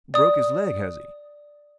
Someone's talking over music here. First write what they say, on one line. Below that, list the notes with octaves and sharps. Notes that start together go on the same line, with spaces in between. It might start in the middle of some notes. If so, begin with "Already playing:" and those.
"Broke his leg, has he?"
D5 D#6